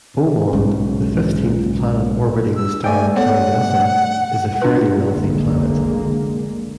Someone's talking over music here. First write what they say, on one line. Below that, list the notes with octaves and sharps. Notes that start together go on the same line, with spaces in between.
Beaumonde, the fifteenth planet orbiting the star Kalidasa, is a fairly wealthy planet.
B1 G#2 C#3
E6
A3 D5 G5 G#5
B3 A4 C#5 F#5
D4 F4 B4
F1 B1 D3 G#3 A#3